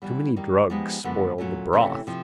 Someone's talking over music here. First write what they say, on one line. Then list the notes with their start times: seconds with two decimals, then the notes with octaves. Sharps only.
Too many drugs spoil the broth.
0.02 E3 G3 B3
0.36 D#3 G3 A#3
0.70 F3 G#3 B3 D#4 G4
1.04 F#2 D3 F3 G#3 B3
1.38 A#2 F#3 A3 C#4
1.73 C3 E3 A3 C#4
2.07 C3 F3